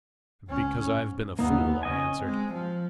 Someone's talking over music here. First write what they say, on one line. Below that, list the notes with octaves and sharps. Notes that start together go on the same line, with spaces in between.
"Because I have been a fool," I answered.
C#2 C#4
G#2
D#2 A#3 B3 D#4
C#3 C#4 D#5 G#5
G#3 C4
F3